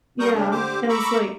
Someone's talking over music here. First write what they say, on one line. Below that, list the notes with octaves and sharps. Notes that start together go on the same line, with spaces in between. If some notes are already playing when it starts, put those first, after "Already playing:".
Yeah, and it's, like
G3 A#4 C#6 D#6 G6
C#3 D4
D3 G4 C5 D6
A#5 B5 C#6 D6 E6